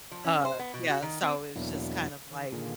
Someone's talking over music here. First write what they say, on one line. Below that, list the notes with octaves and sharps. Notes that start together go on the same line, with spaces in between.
uh, yeah, so, it's just kind of, like,
F3
C#4
C5
B3
B2
F#4
D#3
C4
E2 B2 F#3 A#3 D4 E4
D#3
A#2 D3 D#3 A#3 F4 G#4